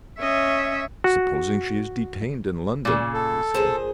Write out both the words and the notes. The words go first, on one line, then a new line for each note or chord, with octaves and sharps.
"Supposing she is detained in London," he said.
C#4 C#5 D#5 E5
F#4
A#2 C#3
A4
A#2 G#4 C5 A5